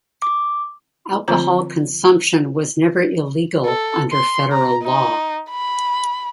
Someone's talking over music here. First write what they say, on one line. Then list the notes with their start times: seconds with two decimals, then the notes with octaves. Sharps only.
Alcohol consumption was never illegal under federal law.
0.22 D6
1.28 D3 F3 C4 F4 C5 A#5
3.65 A4
4.12 C6
4.52 A#5
4.84 D#4
5.50 B5